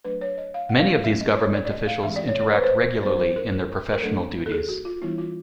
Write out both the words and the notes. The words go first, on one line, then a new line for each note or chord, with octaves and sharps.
Many of these government officials interact regularly in their professional duties.
F#3 A3 D4 B4
C#5
D#5
F5
F#5
F5
F#3 A#3 C#4 E5
D#5
C#5
D5
D5
D#5
F5
E3 G#3 C4 E5
D5
C#5
C#5
C5
B4
C5
F#3 B3 D4 C5
C5
A#4
A#4
A#4
F#3 A3 D4 A4
A4
G#4
F#4
F4
E3 G3 B3 D4 E4
F4